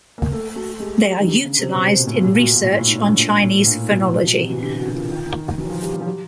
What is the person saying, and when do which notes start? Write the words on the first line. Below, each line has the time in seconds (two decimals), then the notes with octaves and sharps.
They are utilized in research on Chinese phonology.
0.18 A#3
0.31 A3 A4
0.55 A3 F#4
0.80 G#3 G4
1.04 G3 G4
1.20 D#3
1.27 D3 G4
1.44 C#3
1.59 C3 C5
1.75 B2
1.99 A#2
2.07 A2
2.14 A#2
2.23 A2 G4
2.34 A#2
2.39 B2 F#4
2.55 A#2 F4
2.64 A2
2.71 E4
2.78 A2
2.87 D#4
3.03 D4
3.09 A2
3.19 A#2
3.43 A2
3.67 A#2 D4
3.83 D#4
3.91 B2
3.98 E4
4.15 F4
4.26 B2
4.31 F4
4.38 C3
4.47 E3 F#4
4.62 D3 G4
4.78 F#4
4.86 D3
4.94 F4
5.10 D#3
5.26 D#3
5.57 E3 F#4
5.64 F#3
5.70 F3
5.82 G3 G4
5.94 G3
6.01 F3
6.05 F#3 G4